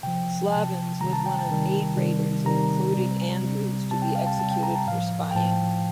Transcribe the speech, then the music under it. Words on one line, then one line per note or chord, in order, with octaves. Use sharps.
Slavens was one of eight raiders including Andrews to be executed for spying.
C3 F3 G5
C3 F3 A5
C3 D#3 G3 A#5
A5
G5
A5
C3 D#3 G3
C3 D#3 G3
C3 D#3 G3 A#5
C3 G3
C3 G3
C3 G3 A5
G5
F5
A5
C3 G3 A5
G5
A#5
A5
A2 F3 F5
G5
A2 F3 A5